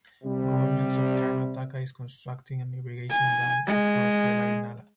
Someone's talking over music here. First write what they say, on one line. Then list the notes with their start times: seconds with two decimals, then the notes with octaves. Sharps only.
Government of Karnataka is constructing an irrigation dam across Bellary Nala.
0.24 C3 G3
3.10 G#5
3.67 G#3